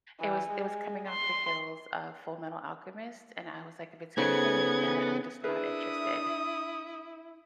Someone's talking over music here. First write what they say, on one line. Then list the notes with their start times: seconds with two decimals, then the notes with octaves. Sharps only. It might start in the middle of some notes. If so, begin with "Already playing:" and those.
it was it was coming off the heels of Fullmetal Alchemist, and I was like, "If it's anything like that, I'm just not interested,"
0.20 E3
0.51 G#3
1.09 C6
4.18 C#3 B3 D#4 A4 C5 G#6
5.44 D4 E4 G#4 A#4 B4 E5 D#6